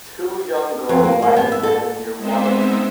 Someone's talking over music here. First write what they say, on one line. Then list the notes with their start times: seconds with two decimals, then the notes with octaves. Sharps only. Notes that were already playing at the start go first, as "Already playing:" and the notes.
Two young girls ride a camel near water.
0.89 F2
1.03 A#3
1.22 A#3
1.36 B3
1.52 E5
1.63 A4
2.18 G#3 B3 C4 D#4 C5 E5